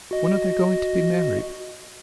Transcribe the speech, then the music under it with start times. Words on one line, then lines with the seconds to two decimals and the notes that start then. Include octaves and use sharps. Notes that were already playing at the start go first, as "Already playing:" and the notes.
When are they going to be married?'
0.11 F#4 D#5